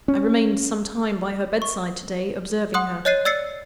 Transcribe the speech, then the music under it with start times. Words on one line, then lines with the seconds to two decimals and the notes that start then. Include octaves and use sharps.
I remained some time by her bedside to-day, observing her.
0.08 C#4
1.62 C#6
2.74 F#5 C6 D#6 F#6
3.05 C#5 D#5 F#6 A6 C7 D#7
3.25 D5 E6 A6 C7 C#7